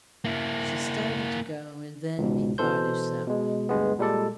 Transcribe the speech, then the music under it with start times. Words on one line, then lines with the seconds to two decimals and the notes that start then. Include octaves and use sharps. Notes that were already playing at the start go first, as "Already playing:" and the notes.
She started to go, and then bethought herself.
0.25 A#3 E4
2.18 C#2 G#2 B2
2.58 B2 E3 A4 C5 G6
3.27 B2 G#3
3.69 D2 G2 G#3 B3
3.99 A#2 G3 G#3 A4 D5